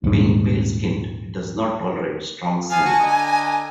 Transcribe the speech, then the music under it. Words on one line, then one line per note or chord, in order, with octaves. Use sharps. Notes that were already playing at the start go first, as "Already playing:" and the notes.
Being pale-skinned, it does not tolerate strong sun.
D#1 G#2
F3 F5 G#5
F#4 F#5 A5
D3 D#5 A#5